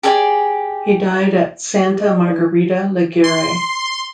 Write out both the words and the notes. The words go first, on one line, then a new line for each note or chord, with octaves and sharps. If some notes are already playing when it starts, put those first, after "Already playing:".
He died at Santa Margherita Ligure.
G4 G#4 D5 G#5
G4
D#5
D5
E3
C6